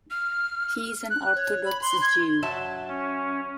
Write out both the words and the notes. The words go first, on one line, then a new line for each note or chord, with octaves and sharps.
He is an Orthodox Jew.
F6
F#6
C#5
B5
C6
G#6
F#3 E5 A5
C#4